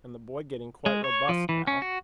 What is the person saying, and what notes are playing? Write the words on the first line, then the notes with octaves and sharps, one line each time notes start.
And the boy getting quite robust now!
G#3
C#5
F3
E3
C#4
F#4